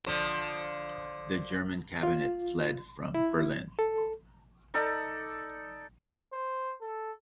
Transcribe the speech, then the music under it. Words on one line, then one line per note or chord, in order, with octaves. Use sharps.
The German cabinet fled from Berlin.
D3 F3
F4
E4
A4
D#4 A4 D5
C5
A4